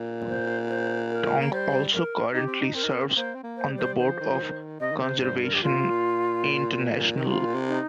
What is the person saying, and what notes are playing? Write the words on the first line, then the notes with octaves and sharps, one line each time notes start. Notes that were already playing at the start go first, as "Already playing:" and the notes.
Tong also currently serves on the Board of Conservation International.
Already playing: A#2
C5
C5
A#4
A#3
G3 C5
A#4
D#4 G4
C4
D#4
C4 A#4
D#4
C4
C4
A#3 C5
C4
A#3
C5
G3
C5
D#3 C5
F3
D#3
F3
D#3
C3 D#5
D#3
C3 C5
G2 C5
A#4
G4
A#2 F4
C3
A#2
D#3
C3 F4
A#2
C3
D#4